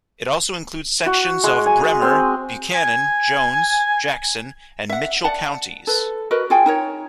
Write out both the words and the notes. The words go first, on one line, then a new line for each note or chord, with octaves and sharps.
It also includes sections of Bremer, Buchanan, Jones, Jackson, and Mitchell counties.
F#4
G#3
G#5
C4
G#5
E5 F#5
D5 F#5 A5
A4 B4
F#4 A#4 B4 D#5
F4 G#4 G5 G#5
D#4 A#4 C#5